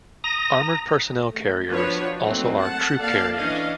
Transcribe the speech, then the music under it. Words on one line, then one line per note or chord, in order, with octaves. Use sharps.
Armoured personnel carriers also are troop carriers.
A#5 D#6 A#6
A3
F3 B3 D4 F#4 B4 C#5
F#3 A3 A#3 C4 D#4 F#4
F#5 A5
A#3 A4 D5 F5 A5
E3 C#4 D4 D#5 F5